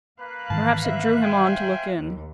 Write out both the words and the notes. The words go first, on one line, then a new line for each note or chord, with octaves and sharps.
Perhaps it drew him on to look in.
A#3 B4 F5 F#6
G#2 D#3 E3 A5
E5
C5 G5 G#5
D#2